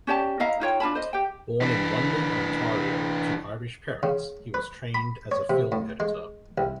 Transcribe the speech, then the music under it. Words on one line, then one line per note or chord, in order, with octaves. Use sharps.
Born in London, Ontario, to Irish parents, he was trained as a film editor.
C#4 G4 D5 A5
E4 D#5 F5 A#5
D#4 F4 C#5 G5
D4 F4 A5 B5
C5 D#5
G4 G5
E3 D4
C#3
B4
B5
C#5
C3
A2
G#3
C2